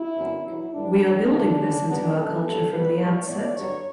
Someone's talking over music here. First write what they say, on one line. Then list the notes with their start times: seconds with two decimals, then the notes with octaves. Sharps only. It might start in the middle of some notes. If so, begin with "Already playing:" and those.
We are building this into our culture from the outset.
Already playing: E4
0.18 F#2 D3 F#3 B3
0.46 E2 B2 F#3 E4
0.73 G2 D3 G3 D4
1.01 G2 F#3 C#4
1.30 C#3 E3 G3 B3 D4
1.59 C#3 G3 C#4
1.87 G2 D3 F#3 B3 D4
2.14 B2 F#3 A3 C#4 A4
2.43 G2 F#3 B3 A4
2.71 B2 G3 B3 B4
2.99 A2 E3 G3 C#5
3.27 A2 E3 B3 D5
3.55 G2 D3 F#3 C#5